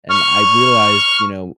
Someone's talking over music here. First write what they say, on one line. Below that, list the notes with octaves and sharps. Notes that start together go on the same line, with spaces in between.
and I realized, you know,
C#6 F6